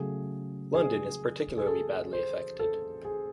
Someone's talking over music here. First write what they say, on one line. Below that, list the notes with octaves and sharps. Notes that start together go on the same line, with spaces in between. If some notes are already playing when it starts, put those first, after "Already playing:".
London is particularly badly affected.
Already playing: C#3 F#3 A3 G#4
G#4
G#4
A4
C5
A4
G#4